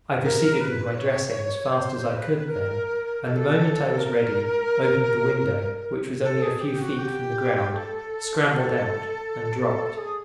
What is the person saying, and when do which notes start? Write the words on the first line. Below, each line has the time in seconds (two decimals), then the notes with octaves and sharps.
I proceeded with my dressing as fast as I could then; and the moment I was ready, opened the window, which was only a few feet from the ground, scrambled out, and dropped.
0.23 A#4
0.61 B4
0.98 C#5
1.73 C5
2.11 B4
2.47 A#4
3.23 A4
3.98 A#4
6.23 A4
6.42 G#4
6.61 G4
6.79 F#4
6.98 G4
7.73 A4
9.97 G#4